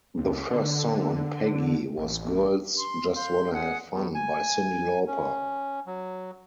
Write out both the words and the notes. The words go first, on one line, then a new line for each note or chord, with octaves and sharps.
The first song on Peggy was "Girls Just Wanna Have Fun" by Cyndi Lauper.
C#2
D3
A1
C6
F5 C6 G6
G#4 F#5
E2
G#5
C#4
F#3